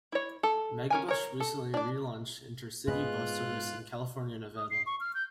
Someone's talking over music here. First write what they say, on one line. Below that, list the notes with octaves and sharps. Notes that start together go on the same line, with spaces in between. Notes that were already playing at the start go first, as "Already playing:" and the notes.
Megabus recently relaunched intercity bus service in California and Nevada.
E4 C#5
A4
C#4 A#4 G#5
A#4 C#5
A4
D4 D5
G#2 B3 F4 G#4 B4 D#5 F#6
D#6
C7
C#6
F6
G6